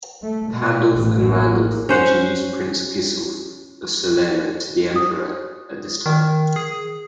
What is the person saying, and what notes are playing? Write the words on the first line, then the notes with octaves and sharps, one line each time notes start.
Pandulf and Landulf introduced Prince Gisulf of Salerno to the emperor at this time.
A3
B2
A1
A#3
C#4 C5 F#5
D#6
D#3
G#4